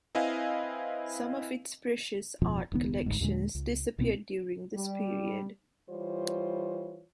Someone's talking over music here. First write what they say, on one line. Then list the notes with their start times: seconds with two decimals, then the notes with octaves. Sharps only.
Some of its precious art collections disappeared during this period.
0.15 C4 E4 B4 D#5 F5 G#5
2.42 D1 F2 B2 F3
2.72 E1 C#2 D#3 B3
3.06 G#1 D2 G#2
3.21 D#2 A#2 D3 G#3
3.55 C#2
3.98 C2 B2 B3 C4
4.75 G3
5.90 E3 G3 F4 C5 C#5